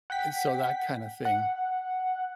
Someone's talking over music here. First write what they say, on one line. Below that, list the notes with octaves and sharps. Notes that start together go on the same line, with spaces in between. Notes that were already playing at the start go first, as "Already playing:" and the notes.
uh, so, that kind of thing,
F#5 G5 B6
F#5